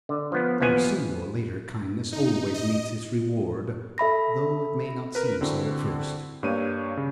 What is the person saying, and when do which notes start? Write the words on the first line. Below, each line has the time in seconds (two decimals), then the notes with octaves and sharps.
Now sooner or later kindness always meets its reward, though it may not seem so at first.
0.09 D3
0.32 F3 B3
0.60 D#2 E3 F3 B3 G#5
2.13 D#4
2.54 D#5
3.98 A4 E5 B5 A#6
5.15 A#4 B4
5.41 D3 C4 E4 F#4
6.43 G2 A#3 C#5 D#7
6.97 C#3